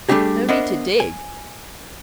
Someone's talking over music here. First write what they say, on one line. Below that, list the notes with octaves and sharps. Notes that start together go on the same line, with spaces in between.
No need to dig.
G3 A3 D4 G4 G#4
B3 D4 A#4 C5 D#5 E5
G#5